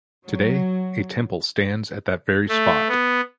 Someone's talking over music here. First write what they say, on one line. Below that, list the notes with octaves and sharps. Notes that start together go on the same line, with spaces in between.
Today a temple stands at that very spot.
F#3
A3
B3